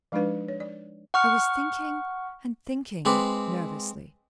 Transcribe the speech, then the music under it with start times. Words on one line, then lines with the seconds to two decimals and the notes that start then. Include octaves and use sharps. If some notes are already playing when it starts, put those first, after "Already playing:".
"I was thinking--and thinking," nervously.
0.12 F3 G#3 D4 D#4 B4 F5
0.48 C#5
0.60 D5
1.14 F#5 C#6 F6
3.05 G#3 C4 B4 D5